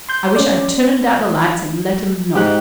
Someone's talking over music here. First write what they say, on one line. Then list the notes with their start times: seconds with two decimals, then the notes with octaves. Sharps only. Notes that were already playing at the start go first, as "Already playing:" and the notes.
I wish I'd turned out the lights and let 'em knock.
0.09 C6 G6
0.36 C#4 D5
2.35 G#2 G4 D#5 F#6